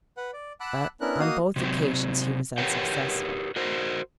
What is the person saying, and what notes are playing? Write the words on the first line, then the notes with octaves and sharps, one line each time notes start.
But on both occasions he was unsuccessful.
B4 F#5
D5
F#5 A5 B5 D6 E6 F#6
B3 C#4 D4 E4 A#4 F#6
A#3 F#4 D#5 F5 D#6
C3 F#3 C4
G4 A#4 B4 C#5 F#5 G5
F#4 A#4 C5